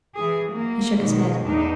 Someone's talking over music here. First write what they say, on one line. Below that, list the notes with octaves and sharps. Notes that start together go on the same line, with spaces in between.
He shook his head.
E3 G#4
F#3 A#3
B2 D#3 F#3 G#3
E2 A2 D4 D#4